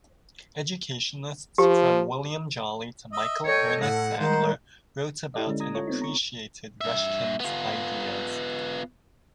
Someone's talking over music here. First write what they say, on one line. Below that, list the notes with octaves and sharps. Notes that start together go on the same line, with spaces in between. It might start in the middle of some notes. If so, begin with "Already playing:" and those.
Educationists from William Jolly to Michael Ernest Sadler wrote about and appreciated Ruskin's ideas.
F3 G4
D#5 E5
A4 C#5 D#5 G5
A2 F#5
D#3 G3 G#3 C5 F#5
E4 G4 A4 D5 D#5
D3 G#3 C#4
A#5 D#6 G#6 A#6
F4 A4 C#5 C#6
B3 C4 D#4
A#5 C#6
G2 E5
B3 F4